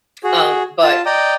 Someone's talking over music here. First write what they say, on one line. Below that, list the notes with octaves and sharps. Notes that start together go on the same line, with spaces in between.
Um, but,
F#4 G#4
F4 A5
D5 D#5 G5 A#5 D#6